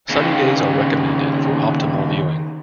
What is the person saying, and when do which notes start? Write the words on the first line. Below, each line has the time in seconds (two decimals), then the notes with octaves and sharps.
Sunny days are recommended for optimal viewing.
0.10 D#2 C#3